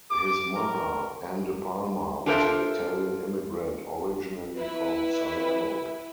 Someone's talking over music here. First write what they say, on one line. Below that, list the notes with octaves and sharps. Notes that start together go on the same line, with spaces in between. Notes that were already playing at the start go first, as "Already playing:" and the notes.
His mother, Ann De Palma, was an Italian immigrant originally from Salerno.
D6
A#4
D4 F4 A4 A#4 C5 E5
E4 B4